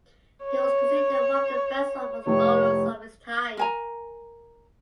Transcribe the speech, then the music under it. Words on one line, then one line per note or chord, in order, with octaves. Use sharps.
He was considered one of the best Oxford bowlers of his time.
C#5
F1 A2 A3 C#5
A#4 G#5 A#5